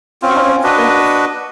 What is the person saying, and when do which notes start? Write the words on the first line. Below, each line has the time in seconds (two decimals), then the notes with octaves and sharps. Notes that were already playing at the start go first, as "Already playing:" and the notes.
yeah, that's that's
0.22 C4 C#4 F4
0.63 D4 F#4 B4 D#5